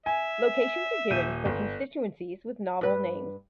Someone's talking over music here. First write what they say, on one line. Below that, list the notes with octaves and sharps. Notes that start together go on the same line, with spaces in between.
Locations are given for constituencies with novel names.
E5 G#5
D#1 G6 D#7
G1
G2 B4